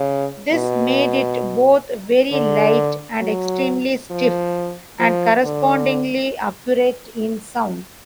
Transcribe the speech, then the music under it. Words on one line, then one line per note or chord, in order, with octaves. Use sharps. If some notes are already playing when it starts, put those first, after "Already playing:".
This made it both very light and extremely stiff, and correspondingly accurate in sound.
Already playing: C#3
B2
D3
F#3
F3
F3
D3